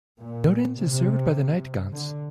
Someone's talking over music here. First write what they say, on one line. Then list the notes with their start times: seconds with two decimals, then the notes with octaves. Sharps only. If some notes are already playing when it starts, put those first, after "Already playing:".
Nodens is served by the Nightgaunts.
0.19 A#2
0.77 C3
1.93 D3